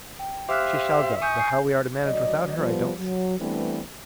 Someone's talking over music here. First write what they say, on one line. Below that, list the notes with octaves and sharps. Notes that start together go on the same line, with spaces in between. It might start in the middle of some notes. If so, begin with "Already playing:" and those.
She shall go; though how we are to manage without her I don't see.
G5
G4 C5 E5 F5 D6 F6 F#6
G#5 C#6 D#6 G6
G#5 G6 C7
D2 F#3 D5 D#5
F3 G3 B3
F#3
E3 G3 A3 B3 C4 D4